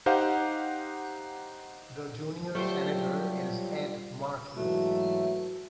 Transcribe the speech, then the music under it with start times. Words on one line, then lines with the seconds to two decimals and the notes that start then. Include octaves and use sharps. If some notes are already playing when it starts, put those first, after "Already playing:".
The junior senator is Ed Markey.
0.06 D#4 G4 C5 F5 F#5
2.55 F#3 G3 A3 F4 G4 C5
4.56 G#2 E3 F#3 A3 F#4